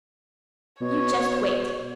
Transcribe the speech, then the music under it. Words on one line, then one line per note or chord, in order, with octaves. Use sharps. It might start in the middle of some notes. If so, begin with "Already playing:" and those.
"You just wait!"
B2 C#5